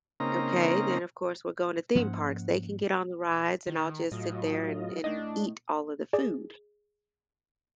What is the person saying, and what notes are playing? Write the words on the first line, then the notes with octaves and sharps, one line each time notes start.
okay, then, of course, we're going to theme parks; they can get on the rides, and I'll just sit there and and eat all of the food.
C#3 A#3 C4 D#4 A#5
G#2 F3 A#3 C#4 F#5 C#7
D#3
A2 F#3 F4 D#5
A2 D4 D#5
G#4 D5